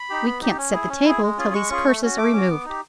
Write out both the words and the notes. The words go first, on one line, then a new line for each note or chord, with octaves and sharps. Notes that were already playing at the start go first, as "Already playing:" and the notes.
We can't set the table till these curses are removed.
Already playing: B5
D#4 G4
B3
D#4 G4
C#4
E4 G#4
C#4
E4 G#4
G#3
C#4 F4 G#4
G#3 C#6
C#4 F4 G#4
A3
C#4 F#4
A3 D6
C#4 F#4
B3
D#4 G4